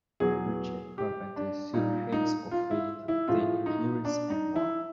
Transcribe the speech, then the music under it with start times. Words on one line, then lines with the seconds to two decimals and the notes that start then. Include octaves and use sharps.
Richard Carpenter sued Haynes for failing to obtain the clearances and won.
0.20 E2 B2 F#3 G#4
0.98 G4
1.36 D4
1.74 A#2 G3 D#4
2.12 D#4
2.51 F4
2.71 E4
3.08 E4
3.28 A2 F3 G#3 F4
3.66 D#4
4.05 D4
4.30 D#4
4.56 E4